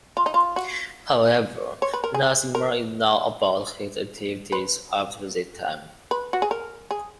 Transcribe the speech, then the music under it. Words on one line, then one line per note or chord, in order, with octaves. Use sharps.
However, nothing more is known about his activities after this time.
F4
D#4
F4
F#4
C#5
B4
A#4
G#4
A#4
B4
B4
F#4
G#4
A#4
G#4